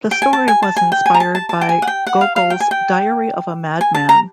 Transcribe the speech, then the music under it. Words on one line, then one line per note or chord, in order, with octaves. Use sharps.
The story was inspired by Gogol's "Diary of a Madman".
G5
G#5
A5
G#5
A5
G#5
G5
G#5
A#5
A5
A5
A5
G5
G#5
F#5
G5
F#5
F5
F5
G5
G#5
G5
G#5
A5
A#5